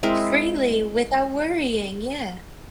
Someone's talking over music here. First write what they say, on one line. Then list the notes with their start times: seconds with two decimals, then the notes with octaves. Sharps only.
freely without worrying, yeah.
0.03 G#3 C4 E4 A#4